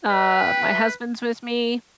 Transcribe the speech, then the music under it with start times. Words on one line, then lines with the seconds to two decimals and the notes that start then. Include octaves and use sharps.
Uh, my husband's with me,
0.09 B4 D#5
0.36 G5
0.62 E5